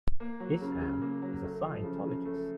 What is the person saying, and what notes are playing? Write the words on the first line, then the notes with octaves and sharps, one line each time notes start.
Isham is a Scientologist.
A#3
F#3
C#3
C#3
A#3
F#3
A3
F3
C#3
C#3
A3